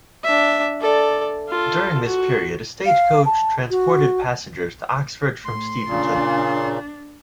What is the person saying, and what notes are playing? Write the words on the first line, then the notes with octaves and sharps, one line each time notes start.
During this period a stagecoach transported passengers to Oxford from Steventon.
D4 E5
A4 D5
F4 A4
F#4
F5
A5
F#4
A2 C6
A#2 C#3 D4